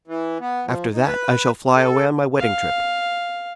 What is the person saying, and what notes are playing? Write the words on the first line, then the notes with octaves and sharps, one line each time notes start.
After that, I shall fly away on my wedding trip.
E3
B3
F3
D#4
B4
A4
F5